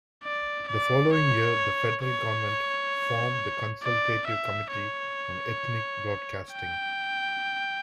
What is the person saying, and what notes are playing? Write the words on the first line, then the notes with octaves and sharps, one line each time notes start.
The following year, the Federal Government formed the Consultative Committee on Ethnic Broadcasting.
D5
D5
C#5
C#5
D5
E5
C#5
G5